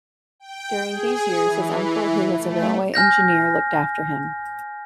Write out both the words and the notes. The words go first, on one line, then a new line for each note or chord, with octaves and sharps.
During these years his uncle, who was a railway engineer, looked after him.
G5
G#4
E3
A3
G#5 F6 G6 A#6